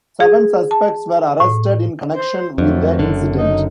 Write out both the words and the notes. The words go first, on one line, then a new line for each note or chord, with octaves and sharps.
Seven suspects were arrested in connection with the incident.
G#4
A5
A2
C5
F2 D#3 F#3 A3
F#1 F#2 D3 D#3
D#4